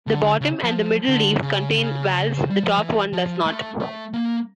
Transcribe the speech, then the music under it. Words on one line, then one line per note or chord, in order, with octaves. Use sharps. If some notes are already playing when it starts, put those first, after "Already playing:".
The bottom and the middle leaves contain valves, the top one does not.
D3
C#3
F3
D3
C#3
D3
C#3
G3
F3
E3
F3
A3
A3
A#3